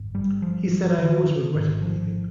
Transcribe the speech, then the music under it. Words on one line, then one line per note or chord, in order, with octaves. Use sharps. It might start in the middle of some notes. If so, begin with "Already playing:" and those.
He said I always regretted leaving.
Already playing: G#1 G2
G3
F3
D#3
D3
G#1 G#2 D#3
F3